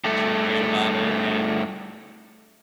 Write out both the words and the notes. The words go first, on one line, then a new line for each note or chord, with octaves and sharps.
too great about it, and
G2 A3